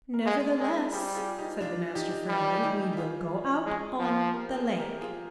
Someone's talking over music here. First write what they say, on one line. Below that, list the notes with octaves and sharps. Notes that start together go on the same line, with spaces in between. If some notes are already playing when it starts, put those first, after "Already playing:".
"Nevertheless," said the master, firmly, "we will go out on the lake."
A#4
G#3 G#4 C5
G#3 A#4 D5
G3 G#4 C5
F4 G#4
D#4 G4
D4 F4
D#4 G4
G3
G#4
D#4 G4
G4
F4 G#4
G#3
F3
G4 A#4
G#4 C5
G#4
G4 A#4
F4 G#4